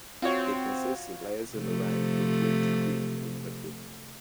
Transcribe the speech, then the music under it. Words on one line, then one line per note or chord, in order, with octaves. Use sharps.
It consists of layers of meringue with whipped cream in between.
C4 F4 F#4 C#5
C3 F3 A3